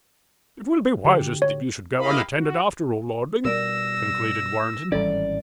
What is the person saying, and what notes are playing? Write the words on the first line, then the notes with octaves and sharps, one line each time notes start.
"It will be wisest that you should go unattended, after all, lording," concluded Warrenton.
D3 F#4 G4
C#5
E4 G4 A#4 D#5 F5 B5
F#4
B2 G3 A#4 D5 E6 A#6
G#1 A2 E3 G3 C#4 A4 D5